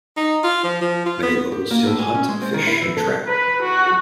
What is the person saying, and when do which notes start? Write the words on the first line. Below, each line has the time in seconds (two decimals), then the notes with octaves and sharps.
Many locals still hunt, fish, and trap.
0.17 D#4
0.44 F4
0.64 F3
0.81 F3
1.06 F4
1.23 B3
1.52 G4
1.71 A#3
1.86 A2
1.99 G#5
2.14 C#4
2.29 G#3
2.42 C4
2.54 D#3
2.67 E4
2.81 E3
2.97 A4
3.27 B4
3.62 F#4